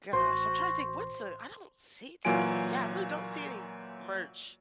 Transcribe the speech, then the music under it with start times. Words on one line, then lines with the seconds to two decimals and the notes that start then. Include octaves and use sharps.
Gosh, I'm trying to think, what's the I don't see too many Yeah, I really don't see any merch
0.13 A1 F#4 C5
2.25 A#2 E3 F#3 F4 G#5 D7